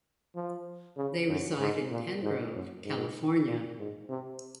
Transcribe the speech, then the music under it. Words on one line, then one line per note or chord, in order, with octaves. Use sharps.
They reside in Penngrove, California.
F3
C#3
F#2
G#2
A#2
G#2
F#2
G#2
A#2
G#2
C3